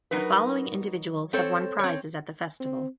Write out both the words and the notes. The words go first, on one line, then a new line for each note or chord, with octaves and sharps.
The following individuals have won prizes at the festival.
F#3 D#4 A#4 B4
C4 A4 C5 C#5
C4 C#5
C4